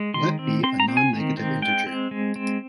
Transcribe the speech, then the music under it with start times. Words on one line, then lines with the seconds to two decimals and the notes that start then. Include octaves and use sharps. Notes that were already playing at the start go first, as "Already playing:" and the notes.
Let be a non-negative integer.
Already playing: G#3
0.14 D#3 C6
0.39 C4
0.63 C4 C6
0.80 A#5
0.88 C4
0.97 G#5
1.13 D#3
1.37 C4
1.62 G#3 G5
1.87 C4
2.11 G#3
2.36 C4